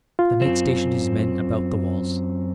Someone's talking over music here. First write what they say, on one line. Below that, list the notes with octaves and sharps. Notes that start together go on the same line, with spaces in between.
The knight stationed his men about the walls.
F4
F#2 C4